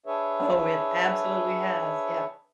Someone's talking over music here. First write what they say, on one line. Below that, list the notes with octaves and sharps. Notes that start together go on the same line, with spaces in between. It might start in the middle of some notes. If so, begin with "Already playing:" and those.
Oh, it absolutely has. Yep.
D4 G#4 B4 C#5 E5